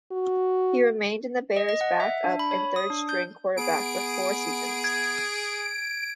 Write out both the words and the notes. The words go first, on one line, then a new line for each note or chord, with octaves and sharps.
He remained the Bears' back-up and third-string quarterback for four seasons.
F#4
D#5
D#5
F#5
E5
D4
B5
C#5
D#6
D4
G6
B3 G#4 D7
G#6